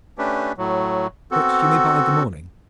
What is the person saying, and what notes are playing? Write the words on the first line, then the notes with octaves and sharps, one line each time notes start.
"But you may bide the morning?"
A3 C#4 D4 G4 B4
A2 F#3
B3 C4 F#4 A4